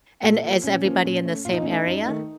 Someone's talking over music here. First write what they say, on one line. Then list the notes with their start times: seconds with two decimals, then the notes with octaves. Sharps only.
And is everybody in the same area?
0.23 A#2 A4
0.44 F3 A#3
0.63 A#2 C#4
0.84 F3 A#3 C#4
1.04 A#2
1.25 A3
1.45 A#2 F4
1.53 D#4
1.62 A3 C#4
1.71 D#4
1.86 F#2
2.06 D#3 A3